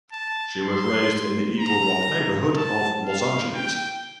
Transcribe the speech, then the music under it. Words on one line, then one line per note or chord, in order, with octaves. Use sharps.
She was raised in the Eagle Rock neighborhood of Los Angeles.
A5
C6
A#5
A5
F5
G5